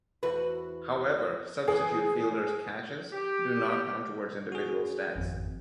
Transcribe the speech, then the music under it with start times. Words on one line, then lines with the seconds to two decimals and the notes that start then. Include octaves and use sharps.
However, substitute fielders' catches do not count towards individual stats.
0.23 E2 F#4 B4
1.68 E3 G#4
3.13 G4
4.52 F#4 G#4
5.16 G#1 F2